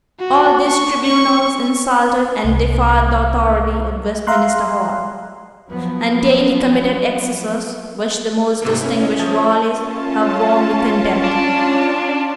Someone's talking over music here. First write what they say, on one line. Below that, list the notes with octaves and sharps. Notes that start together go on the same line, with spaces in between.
All these tribunals insulted and defied the authority of Westminster Hall, and daily committed excesses which the most distinguished Royalists have warmly condemned.
F#4
C#6
C#6
C2
E5 F5 A#5 C6 F#6
F3 F#3 B3
G#2 C3 A3 A#3
B3 C#4 E4
C#4 C#5 D#5
F3 C#4 E5 A5 D#6 G#6
C#4 F4 A5
D4